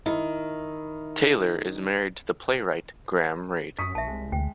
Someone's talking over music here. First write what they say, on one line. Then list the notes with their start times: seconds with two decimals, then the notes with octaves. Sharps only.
Taylor is married to the playwright Graham Reid.
0.06 D#3 E4
3.79 F#2 C#6 D#6 B6
3.95 A#1 E5 A5
4.07 C2 G#3
4.32 D2 G5